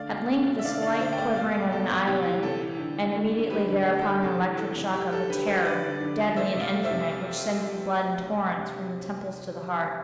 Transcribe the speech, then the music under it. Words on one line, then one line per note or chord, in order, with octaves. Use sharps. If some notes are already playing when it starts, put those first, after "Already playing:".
At length the slight quivering of an eyelid, and immediately thereupon, an electric shock of a terror, deadly and indefinite, which sends the blood in torrents from the temples to the heart.
Already playing: D3 A3 D5 F5
B2
A3
B2
E5
D3 D5 F5
D3 D5 F5
D3 C5 E5
G5
A3 D5 F5
B2 D5 F5
A3
B2 A4
B2
C3 G4
E3
C3 A4
E3
D3
D3
A3
D3
D3 G4 B4
D3
A3 G4
A4
D3 G4
C3 A4
E3
E3 A4
C3
G3 G4
G3 A4
D3 G4 B4
G3 A4 C5
D3 B4 D5
D3
D3
F3
A3 C5 E5
C3
D5 F5
A3
C5 E5
C3